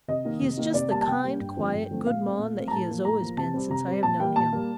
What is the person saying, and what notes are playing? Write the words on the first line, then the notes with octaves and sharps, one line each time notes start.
He is just the kind, quiet good mon that he has always been since I have known him.
C3 D#5
D#3 A#3
C3
D#3 A#3
C3 D5
G3 A#3 A5
A5
C3 G5
G3 A#3
G2
D3 F3 A3 C4
G2
D3 F3 A3 C4
A#2 F5
A3 C4
A#2
A3 C4
A#5
A2 A5
F3 A#3
A2 A#5
F3 A#3
C3 A5
G3 C4
C3 A#5
G3 C4
A#2 A5
G3 A#3 G5
A#2 A5
G3 A#3